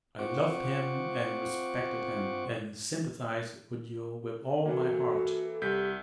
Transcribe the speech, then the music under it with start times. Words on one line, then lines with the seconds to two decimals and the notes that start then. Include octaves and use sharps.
"I loved him and respected him, and sympathize with you with all my heart."
0.19 C4 F4 C5 F#5 C#6 D6
4.66 E3 A#3 F#4 A4
5.62 C2 G4 G6 B6